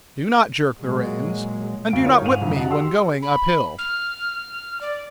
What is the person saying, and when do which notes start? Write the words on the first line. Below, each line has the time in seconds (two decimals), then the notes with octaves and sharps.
Do not jerk the reins, and do not whip me when going up hill.
0.80 A#2 F#3 G#3
1.90 D2 D7
2.05 D#4 F4 A#4 C#5
2.22 G#2 F5 D#7 F7
2.41 C2 F2 D3
2.55 F#4 D#5 F#5 A5
2.70 G4 C6 E6
3.22 B5
3.78 F6
4.81 D5